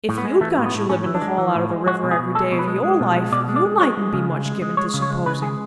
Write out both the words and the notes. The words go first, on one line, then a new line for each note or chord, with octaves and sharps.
If you'd got your living to haul out of the river every day of your life, you mightn't be much given to supposing.
A2
B3
G#3
E3 A3
A2
B3
A2
A2 C#4
E3
D4
G#3
E3
A2
G#3
G#3 F#4
B2
G#4
B2
G#3 A4
B2
B4
G#3
G#3
B2
G#3
B2 D5
G#3
D5
G#3
G#3 C#5
G#3
C#3
G#3
G#3
G#3
G#3 C#5
C#3
C#5
G#3
C#3 B4
G#3 G#4